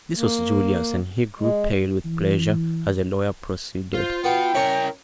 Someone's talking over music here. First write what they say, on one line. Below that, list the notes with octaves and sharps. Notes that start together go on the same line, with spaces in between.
This was Julius, and he grew pale with pleasure as the lawyer proceeded.
A#3
G#3
E3
F4 C5
B3 F#4 G5
C#4 E4 A#4 C#5 G#5